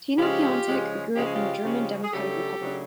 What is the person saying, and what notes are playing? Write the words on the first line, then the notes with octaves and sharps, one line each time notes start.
Tino Piontek grew up in the German Democratic Republic.
C#3 F3 G#3 C#4 F4 G4
C#3 F3 G#3 C#4
C#3 F3 G#3 C#4 G4
G#4
F4 G4
C#3 F3 G#3 C#4
G#4
C#3 F#3 A3 D4 G4 A4
C#3 F#3 A3 D4